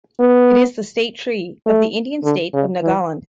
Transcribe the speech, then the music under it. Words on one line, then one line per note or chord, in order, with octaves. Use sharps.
It is the state tree of the Indian state of Nagaland.
B3
A3
D3
C#3
E3